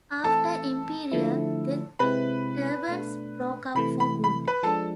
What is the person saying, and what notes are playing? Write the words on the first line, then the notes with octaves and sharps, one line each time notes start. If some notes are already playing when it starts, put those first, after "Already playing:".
After Imperial, the Turbans broke up for good.
E3 A3 C4 E4 A4 A5
D3 F3 A3 E4
C3 G#3 C4 E4 B4 B5
B2 A3 D4
C3 E3 A3 B5
B5
B5
B4 B5
F3 G#3 D4 A4 A5